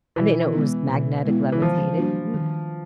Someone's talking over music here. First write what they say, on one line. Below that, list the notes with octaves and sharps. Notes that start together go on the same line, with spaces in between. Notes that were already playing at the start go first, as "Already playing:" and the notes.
I didn't know it was magnetic levitated, mm.
B2 E3
G#3 B3 E4
B2
G#3 B3 E4
E3
D#3 F3
G3 A#3 D4 F#4
D#3